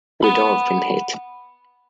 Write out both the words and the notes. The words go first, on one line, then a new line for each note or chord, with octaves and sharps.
We'd all been hit.
F#5 B5